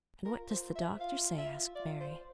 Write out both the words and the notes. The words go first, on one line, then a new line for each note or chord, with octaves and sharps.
"And what does the doctor say?" asked Mary.
F4 A#4
C5
E5
F4 F5
F4 E5
F4 D5
C5